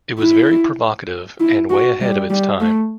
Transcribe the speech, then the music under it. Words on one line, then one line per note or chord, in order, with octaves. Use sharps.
It was very provocative and way ahead of its time.
E4
E4
F#4
G3
G3
A3